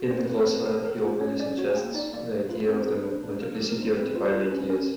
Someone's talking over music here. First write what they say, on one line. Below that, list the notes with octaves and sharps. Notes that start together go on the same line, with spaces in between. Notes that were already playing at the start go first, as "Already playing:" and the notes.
In the "Glossa", he openly suggests the idea of the multiplicity of divine ideas.
Already playing: F#4
C4 C5
B4
C4
A#4
C4
B4
A4 A#4
A4 A#4
F4 C5
C#4 C#5
C#4 D5
F#4 C#5
G#5
A#3 G5
D#4 D5
A#3 D5
A3
F4 B4
C4 A#4
G#4 B4
B4
D4 C5
D4 B4
A#3 A#4
A4
G4
A#4
D#4 C5
C4 B4
B4
F4 C5
F4 A#4
C#4 B4
B4
C#4 A#4